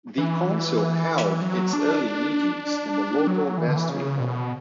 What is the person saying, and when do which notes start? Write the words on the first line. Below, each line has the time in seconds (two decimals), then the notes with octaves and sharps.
The council held its early meetings in the local vestry hall.
0.18 E3
1.41 F#3
1.73 D4
3.27 F#3
3.58 E3
3.68 D3
3.76 E3
3.89 C#3
4.20 B2